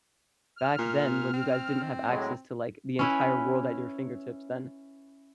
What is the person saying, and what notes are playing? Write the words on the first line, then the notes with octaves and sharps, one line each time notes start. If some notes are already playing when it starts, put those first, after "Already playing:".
back then when you guys didn't have access to, like, the entire world at your fingertips, then
F6
A#2
C4
A2 F#3 G#3
C#4 E4 B4